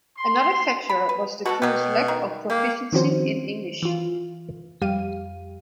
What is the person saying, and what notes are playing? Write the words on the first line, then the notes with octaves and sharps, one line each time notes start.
Another factor was the crew's lack of proficiency in English.
C6
B5
B4
B2 B3 F#4 A4
B2 F#3 G4
D#3
A#3 G4
D#3 F3 C4 C#4 F#4 C5
E3 F4
F2 G3 G4 F5 D#7